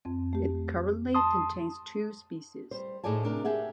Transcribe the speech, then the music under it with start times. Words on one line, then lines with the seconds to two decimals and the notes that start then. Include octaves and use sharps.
It currently contains two species.
0.05 F2 C4
0.33 A3 G4
1.15 A5 C6 D#6
2.71 G3 C5
3.04 A2 D#4 G#4 D5 G#5 A5
3.23 C3 D4 A#4
3.45 G4 G#4 E5 F#5